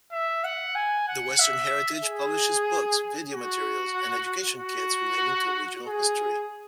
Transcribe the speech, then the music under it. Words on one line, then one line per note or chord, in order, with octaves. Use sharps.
The Western Heritage publishes books, video materials, and education kits relating to regional history.
E5
F#5
G#5
F#5
E5
G#4
F#4
F#4
G#4